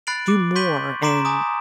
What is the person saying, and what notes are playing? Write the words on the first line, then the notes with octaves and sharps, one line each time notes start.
do more and
B5 F#6 A6 C7 D7 F#7
D6
C6 C#6 G6 B6 D#7 F#7
A#5 C6 D6 B6 D7 E7
G#5 A#5 D6 D#6